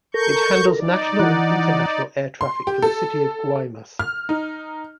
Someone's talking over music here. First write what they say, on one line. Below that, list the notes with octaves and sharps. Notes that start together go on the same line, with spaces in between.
It handles national and international air traffic for the city of Guaymas.
A4 A#4 A#5 C#6 G6
D#4 D5
E3 F#5
C6
G4
A4
F6
D#4